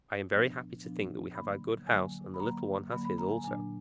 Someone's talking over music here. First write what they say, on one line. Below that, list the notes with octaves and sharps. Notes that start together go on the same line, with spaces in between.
I am very happy to think that we have our good house, and the little one has his also!
A#2 F3 B3 D4
A#2 F3 B3 D4
D3 F#3 A#3 B5
D3 F#3 A#3 G#5
B5
D3 F#3 A#3 A#5
D3 F#3 A#3 B5
B5
A#5
G#5
A#2 F#3 D4 G#5